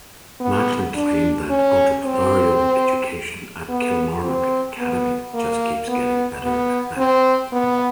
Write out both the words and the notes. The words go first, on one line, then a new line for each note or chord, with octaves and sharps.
Macklin claimed that "entrepreneurial education at Kilmarnock Academy just keeps getting better and better".
B3
D4
C#4
C4
B3
C4
B3
A#3
B3
B3
C4
B3